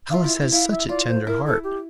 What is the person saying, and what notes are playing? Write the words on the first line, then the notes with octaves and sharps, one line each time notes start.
"Alice has such a tender heart."
F5
F4 E5
E4
E4
E4 F5
E5
F4 D5
C5
E4 A#4
A4
G4